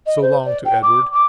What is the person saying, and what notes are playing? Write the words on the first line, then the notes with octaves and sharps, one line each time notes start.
"So long," to Edward.
D#5
C5
D5
G5
D6
D6